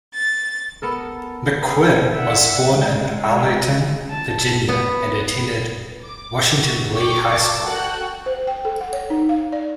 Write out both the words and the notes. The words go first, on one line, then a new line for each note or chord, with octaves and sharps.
McQuinn was born in Arlington, Virginia and attended Washington-Lee High School.
A6
B3 A4 A#4
B3 G#4 B4
E5 F#5
G#3
A5
B3
D6
F#4
G5 C#6 D6
A5
F#4 A4 G5 F#6
C5
G5
A4
F#5
C#5
D#4
F5
D5